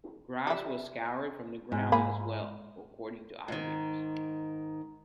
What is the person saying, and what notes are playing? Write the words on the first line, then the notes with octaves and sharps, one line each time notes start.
Grass was scoured from the ground as well, according to eyewitnesses.
G3 E5
G#2
A#3 G#4 B5
G#2 D#3